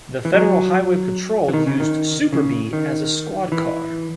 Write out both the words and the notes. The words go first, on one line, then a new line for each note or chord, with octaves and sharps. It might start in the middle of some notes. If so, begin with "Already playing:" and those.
The federal highway patrol used Super Bee as a squad car.
E3
F#3
E3
D#3
C#3
D#3
C#3
D#3
E3